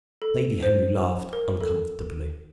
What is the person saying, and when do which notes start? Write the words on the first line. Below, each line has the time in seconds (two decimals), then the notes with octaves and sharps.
Lady Henry laughed uncomfortably.
0.22 A4
0.63 C5
1.33 A#4
1.61 A4